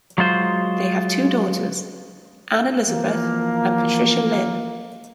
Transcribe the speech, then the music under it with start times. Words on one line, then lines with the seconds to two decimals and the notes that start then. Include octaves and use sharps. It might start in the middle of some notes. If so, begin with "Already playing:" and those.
They have two daughters, Anne Elizabeth and Patricia Lynn.
0.18 F#3 G#3 F4 C5
2.86 E3 F3 A#3